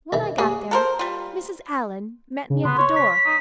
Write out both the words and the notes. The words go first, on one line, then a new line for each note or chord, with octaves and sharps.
When I got there Mrs. Allan met me at the door.
C2 D#3 E3
A#3 G4 G#4 C#5
A4 A#4 C5
G3 F4
C#3
B3 C6
C#5
B6
D#4